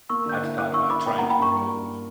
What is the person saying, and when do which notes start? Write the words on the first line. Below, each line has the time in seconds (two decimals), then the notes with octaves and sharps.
I've thought about trying to grow,
0.09 A#3 C#6 E6
0.26 D3 G6
0.34 D6 F#6
0.42 E4
0.58 E4 D6 F#6
0.74 E4 C#6 E6
0.90 E4 B5 D6
1.06 A#3 G5 B5
1.18 F#5 A#5
1.22 A#3
1.30 G5 B5
1.39 G2 A#5 C#6